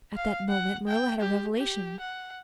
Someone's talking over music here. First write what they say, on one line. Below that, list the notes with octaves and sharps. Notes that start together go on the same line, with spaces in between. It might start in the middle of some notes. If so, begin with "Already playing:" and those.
At that moment Marilla had a revelation.
F5
F#5
G5
G4
G4
F#5